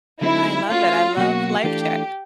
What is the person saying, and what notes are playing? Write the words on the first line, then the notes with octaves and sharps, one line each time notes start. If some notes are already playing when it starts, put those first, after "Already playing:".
but I love it. I love life check.
D3 F#3 A3 C4 D#4 E4
A3 C#4 F4 F#4
B2 F#3 A#3 C#4 F#4
E3 A3 D4 F4 G4 A4